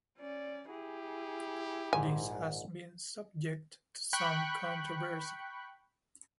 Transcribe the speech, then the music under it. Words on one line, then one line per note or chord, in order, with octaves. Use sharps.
This has been subject to some controversy.
C#4 D5
E4 G4 G#4
A#1 G#2 G#5
G5 B5 C#6 F#6